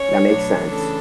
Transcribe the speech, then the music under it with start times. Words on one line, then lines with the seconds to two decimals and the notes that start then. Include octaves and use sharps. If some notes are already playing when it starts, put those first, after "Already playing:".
That makes sense.
Already playing: C#4 C#5
0.27 B2 F#3 A3 D4
0.69 C#3 E3 A3 D4 A4